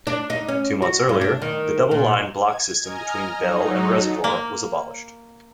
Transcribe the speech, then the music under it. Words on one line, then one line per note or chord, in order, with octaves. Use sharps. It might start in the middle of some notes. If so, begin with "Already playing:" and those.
Two months earlier, the double line block system between Bell and Reservoir was abolished.
D4
D#4
C#4
F#4
G2
D4
D#3
A#2
G#6
D#5 G#5 A#5 F6
F#3 D#4
A4
A#3